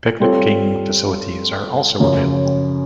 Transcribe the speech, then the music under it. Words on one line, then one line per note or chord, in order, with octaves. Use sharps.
Picnicking facilities are also available.
G3 C4 F4 A4 C#5
F#2 C#3 F3